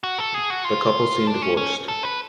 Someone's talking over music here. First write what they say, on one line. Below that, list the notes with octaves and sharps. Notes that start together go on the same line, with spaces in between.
The couple soon divorced.
F#4
A4
G#4
F#4
F4
D4
C#4
C#4
A4
B4